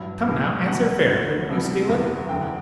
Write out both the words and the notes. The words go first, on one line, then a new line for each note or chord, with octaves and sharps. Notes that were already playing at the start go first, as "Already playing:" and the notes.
Come, now, answer fair--wouldn't you steal it?
Already playing: A1 G2 F#3
E2 B2 F#3 B3
D2 D3 F#3 F#5
D2 D3 A3
C2 C3 G3 B3
F#1 E2 D3
F#1 E2 D3 G5
F#5